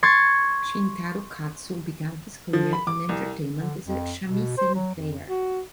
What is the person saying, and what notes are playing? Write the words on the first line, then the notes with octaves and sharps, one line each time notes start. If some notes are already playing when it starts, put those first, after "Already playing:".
Shintaro Katsu began his career in entertainment as a shamisen player.
C6 C#6 G#6 A6
F3
B5
D6
C2
D3
F2
B2
C5
F#3
F2
F#4